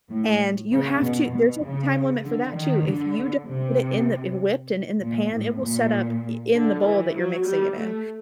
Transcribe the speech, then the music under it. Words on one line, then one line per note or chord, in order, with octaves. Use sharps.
and you have to there's, like, a time limit for that, too. If you don't get it in the w whipped and in the pan, it will set up i in the bowl that you're mixing it in.
A2
C#3
B2
B2
C#3
D3
D#3
D3
C3
A#2
A2
A#2
D3
E3
F#3
G3
A3